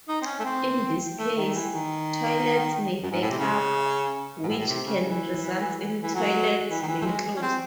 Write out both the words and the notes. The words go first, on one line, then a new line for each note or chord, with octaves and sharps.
In this case, toilets may back up, which can result in toilets being closed.
D#4
C4
C#4
A3
C4
A3
D#3
E3
D#3
F#2
G#2
A2
C3
C#3
G#2
A2
A2
C3
C#3
E3
E3
F#3
E3
D#3
E3
A3
G#3
C#4
C4